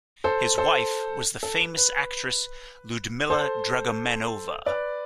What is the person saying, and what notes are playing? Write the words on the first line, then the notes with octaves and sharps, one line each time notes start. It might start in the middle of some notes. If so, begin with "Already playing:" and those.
His wife was the famous actress Ludmila Dragomanova.
A4 C5
A4 C5
A4
B4
B4
A4 C5
B4 D5